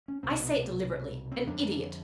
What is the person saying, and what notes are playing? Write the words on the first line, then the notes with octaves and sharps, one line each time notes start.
I say it deliberately--an idiot!
C#4
C2 B2 C4
B3
C4
F2 D3 D4